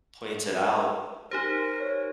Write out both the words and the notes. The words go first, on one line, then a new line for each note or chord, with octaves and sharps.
points it out,
D#4 G4 A#4 C5 A#6
C#5